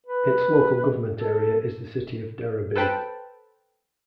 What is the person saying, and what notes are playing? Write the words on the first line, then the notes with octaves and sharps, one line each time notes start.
Its local government area is the City of Darebin.
B4
A4
A4 B4 C5 G5 A5 B5